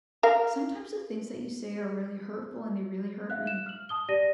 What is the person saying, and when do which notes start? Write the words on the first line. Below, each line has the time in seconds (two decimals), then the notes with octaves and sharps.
"Sometimes the things that you say are really hurtful, and they really hurt me."
0.23 A#4 F5
3.30 E5 F5 F#6
3.47 E7
3.66 F6 F#7
3.89 A5 D#6 G7
4.09 G4 D5 A#6 D#7